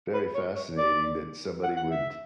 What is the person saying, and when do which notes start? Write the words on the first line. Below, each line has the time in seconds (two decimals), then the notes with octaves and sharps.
very fascinating that somebody would,
0.13 B4
0.35 C#5
0.56 C#5
0.77 D5
1.63 F#5
1.77 F#5
1.91 E5